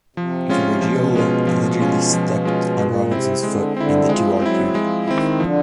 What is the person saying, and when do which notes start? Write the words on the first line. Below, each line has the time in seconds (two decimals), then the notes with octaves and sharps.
Garagiola allegedly stepped on Robinson's foot and the two argued.
0.16 C3 F3
0.49 G#3 C#4 F4
0.81 B2 F3
1.15 G#3 C#4 F4
1.47 F3
1.80 G#3 C#4 F4
2.13 F3
2.45 G#3 C#4 F4
2.78 A#2 G#3
3.11 C3 C4 E4
3.43 D3 G#3
3.77 D3 C4 E4
4.09 F3 G#3
4.41 F#3 C4 E4
4.75 F3 G#3
5.07 D#3 C4 E4
5.40 D3 F3